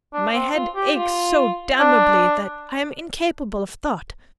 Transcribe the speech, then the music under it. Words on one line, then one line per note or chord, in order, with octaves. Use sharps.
My head aches so damnably that I am incapable of thought.
D4
C4
F4
G4
F4
D4